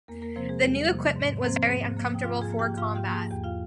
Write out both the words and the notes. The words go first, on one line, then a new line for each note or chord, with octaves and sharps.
This new equipment was very uncomfortable for combat.
E2 A#3 A#4
A#3 A#4
C3 F3 A#3 C4 C5
G#3 G#4
E2 G3 G4
C3 F3 A#3
G#2
F3 A#3 C4 C5
G#2
F3 A#3
G5
G#2 F4 F5
G#4 G#5
F3 A#3
G4 G5
G#2 F4 F5
G4 G5
F3 A#3
G#4 G#5
E2 G4 G5
F4 F5